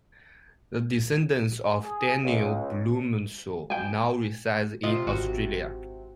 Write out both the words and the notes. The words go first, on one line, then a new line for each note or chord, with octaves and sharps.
The descendants of Daniel Blumenthal now reside in Australia.
G#4
C#2
G5 G#5
C3 F4 D#5
G#1 F#4